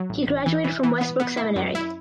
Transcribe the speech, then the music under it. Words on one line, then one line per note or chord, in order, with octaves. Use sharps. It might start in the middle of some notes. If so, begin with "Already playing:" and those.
He graduated from Westbrook Seminary.
Already playing: F#3
A1
A1
E3
E3
E3
B3
B3
E4
F#2
E4